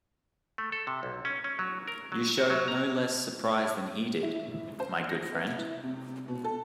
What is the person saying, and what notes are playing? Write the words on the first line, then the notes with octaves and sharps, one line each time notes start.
You showed no less surprise than he did, my good friend.
A3
A4
C3
B1
C#4
C#4
F#3
A#4
F#3
F#4
F#3
A#5
E4
C5
A#6
B3
E4
C3
B2
A4